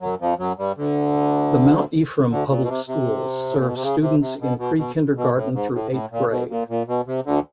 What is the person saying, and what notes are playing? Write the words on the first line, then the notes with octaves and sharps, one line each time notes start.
The Mount Ephraim Public Schools serve students in pre-kindergarten through eighth grade.
F#2 F#3
F2 F3
F#2 F#3
G2 G3
D2 D3
D2 D3
A#2
B2
C3
C3
A2
A#2
B2
C3
C#3
C3
C3
B2
B2
B2
B2
A2
G#2
A2
A2
A#2
B2
A#2
A#2
B2
C3
D2 D3